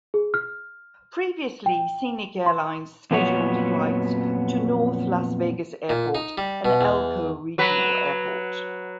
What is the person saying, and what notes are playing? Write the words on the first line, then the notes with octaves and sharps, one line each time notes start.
Previously Scenic Airlines scheduled flights to North Las Vegas Airport and Elko Regional Airport.
G#4
F6
G5
C6
F2 A#2 F3 F#3 B3 C#5
A#2
D#4
G3
B2
E2
F#3 B4